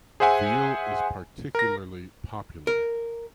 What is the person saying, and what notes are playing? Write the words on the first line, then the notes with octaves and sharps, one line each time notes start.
Veal is particularly popular.
G#4 C5 E5 F#5 G#5
A#4 A#6
A#4